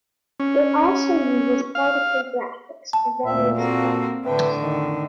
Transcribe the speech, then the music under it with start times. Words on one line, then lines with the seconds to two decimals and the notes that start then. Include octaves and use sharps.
It also uses particle graphics for various effects.
0.40 C#4
1.75 F5
2.93 A5
3.25 D2 A#2 E5
3.57 A#3 C4 F#4 A4
4.26 A2 D3 D4 B4 E5 G5
4.62 F2 D#3